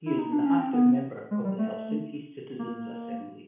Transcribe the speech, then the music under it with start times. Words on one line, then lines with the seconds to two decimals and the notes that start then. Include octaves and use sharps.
He is an active member of the Helsinki Citizens Assembly.
0.06 E4
0.19 D#4
0.32 D4
0.46 C#4
0.58 C4
0.73 B3
1.31 G#3
1.44 G3
1.59 A3
2.59 A#3